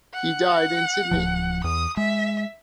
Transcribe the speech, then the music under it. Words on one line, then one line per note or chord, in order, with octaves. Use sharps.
He died in Sydney.
F#5
D1 B1 F3
E2 D#6
G#3 E5